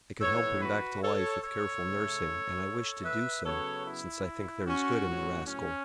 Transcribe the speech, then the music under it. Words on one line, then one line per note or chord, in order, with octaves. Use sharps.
I could help him back to life with careful nursing, and I wish to do so, since I think there is good in the rascal.
A2 E3 B3 A4 C#5
F#4 B4
A4 C#5
A4 C#5
C#3 A3 C#4
B4 E5
C#3 F#3 B3 A4 C#5
E4
C#4 F#4
A2 F#3 C#4
C#4